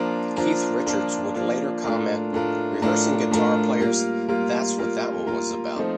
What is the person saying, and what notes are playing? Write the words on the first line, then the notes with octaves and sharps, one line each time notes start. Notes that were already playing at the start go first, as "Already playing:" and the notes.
Keith Richards would later comment "Rehearsing guitar players, that's what that one was about".
Already playing: F3 A#3 D4 F4 A#4
F3 A#3 D4 F4 A#4
F3 A#3 D4 F4 A#4
F3 A#3 D4 F4 A#4
A2 A3 D4 F4 A#4
A2 A3 D4 F4 A#4
A2 A3 D4 F4 A#4
A2 A3 D4 F4 A#4
G3 A#3 F4 A#4
G3 A#3 F4 A#4
G3 A#3 F4 A#4
G3 A#3 F4 A#4
F3 A3 C4 D#4